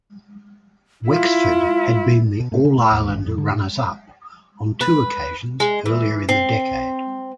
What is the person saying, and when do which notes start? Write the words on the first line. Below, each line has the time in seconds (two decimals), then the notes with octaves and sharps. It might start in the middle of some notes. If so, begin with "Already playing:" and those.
Wexford had been the All-Ireland runners-up on two occasions earlier in the decade.
1.08 E4 F4
2.40 B2
2.52 A2
2.64 C#3
2.78 A2
2.92 D#2
3.09 G#1
3.25 F2
3.38 D3
3.50 A2
4.81 B4
5.60 G#3
5.86 E3
6.29 C4